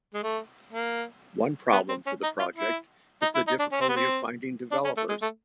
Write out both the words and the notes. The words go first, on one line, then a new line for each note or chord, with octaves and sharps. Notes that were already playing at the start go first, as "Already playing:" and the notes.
One problem for the project is the difficulty of finding developers.
G#3
A3
A#3
B3
C4
C#4
D#4
F4
E4
D#4
E4
D#4
D4
C#4
C4
B3
C4
D4
C#4
A3
G#3
A3